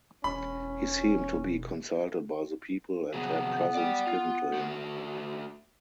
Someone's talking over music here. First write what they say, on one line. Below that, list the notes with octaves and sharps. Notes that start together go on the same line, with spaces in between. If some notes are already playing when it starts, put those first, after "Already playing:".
He seemed to be consulted by the people and had presents given to him.
E1 C#4 B5
C3 F#3 B3 G#4
D5 G5
F4
A3 F#4